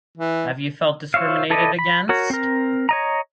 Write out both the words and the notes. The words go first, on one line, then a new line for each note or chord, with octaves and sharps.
Have you felt discriminated against?
E3
F4 C5 C#5 E5 F5
E4 A4 B4 D5 D#5
B5
F#4 A#4 C#5
C4 A#4
C#5 D#5 A#5